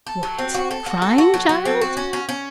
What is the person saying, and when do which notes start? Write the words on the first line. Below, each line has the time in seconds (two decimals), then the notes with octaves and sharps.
What! crying, child?
0.07 A4
0.23 F#3
0.39 C4
0.54 F#4
0.71 A4
0.86 F#4
1.02 A4
1.18 F#4
1.34 F#3
1.49 F#3
1.65 C4
1.81 F#4
1.97 C#4
2.13 C#4
2.29 C#4